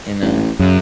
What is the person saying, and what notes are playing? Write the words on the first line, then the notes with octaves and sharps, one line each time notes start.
You know?
A1
F#2 C#3